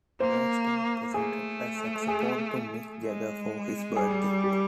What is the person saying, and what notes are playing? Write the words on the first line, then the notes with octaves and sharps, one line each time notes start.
Brainstorm presented a saxophone to Mick Jagger for his birthday.
A#3 C5
A3 G#4
G#4
G#3
G3 G#4
G4